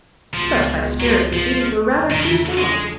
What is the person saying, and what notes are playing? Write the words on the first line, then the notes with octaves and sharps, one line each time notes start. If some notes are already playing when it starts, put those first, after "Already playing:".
Such high spirits as these were rather too strong.
C#2 B2 F3 G#3 B3
F#3
F3
F3
E2 C#3 F3 A3 D4
D#3
E3
G#3